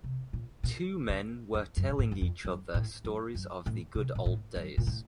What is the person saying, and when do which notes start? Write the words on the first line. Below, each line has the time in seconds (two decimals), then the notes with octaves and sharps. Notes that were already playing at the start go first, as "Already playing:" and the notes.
Two men were telling each other stories of the good old days.
0.04 C3
0.33 A#2
0.63 A#2
1.09 C#3
1.54 F2
1.77 F#2
1.88 A#2
1.99 A2
2.11 F#2
2.21 F2
2.45 F#2
2.74 A2
3.05 F#2
3.35 F#2
3.66 A2
3.95 C3
4.15 A#2
4.26 A2
4.56 F#2
4.78 A#2
4.87 A2